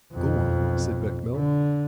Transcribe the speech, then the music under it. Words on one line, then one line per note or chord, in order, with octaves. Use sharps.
"Go on," said Bechamel.
B1 F2
D3